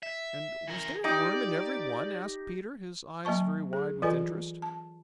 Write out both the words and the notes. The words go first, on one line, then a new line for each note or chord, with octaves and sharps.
"And was there a worm in every one?" asked Peter, his eyes very wide with interest.
E5
E3 A#4
D#4 G4 D5
F#3 A#3 D#5 A5 C#6
G#4
E3 F4 A4 B4 D#5 G#5
A5